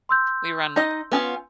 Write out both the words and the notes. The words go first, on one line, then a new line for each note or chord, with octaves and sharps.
We run
C6 E6 G6
D#4 D#5
B3 C#4 F4